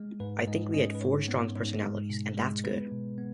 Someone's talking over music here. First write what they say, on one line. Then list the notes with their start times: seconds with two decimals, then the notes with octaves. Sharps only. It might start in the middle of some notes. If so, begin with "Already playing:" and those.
I think we had four strong personalities, and that's good.
Already playing: G#3
0.20 G#2 B4
0.47 G#2 D#5
0.74 C#4 D#5
0.95 B4
1.01 G#2 C#5
1.28 B3
1.55 G#2
1.83 G#3
2.10 B2
2.37 G#3
2.64 B3 B4
2.92 B2
3.18 B3